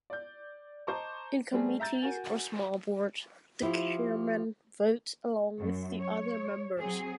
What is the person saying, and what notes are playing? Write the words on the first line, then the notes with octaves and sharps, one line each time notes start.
In committees or small boards, the chairman votes along with the other members.
D5 G6
C5 D#5 A5 A#5 C#6 D6
G3 A3 C4 G#4
E5 A#5 G6 A6
F#4 A#4 G#5
F3 E4 G4
F#2
C#5
F#3 C4 G#4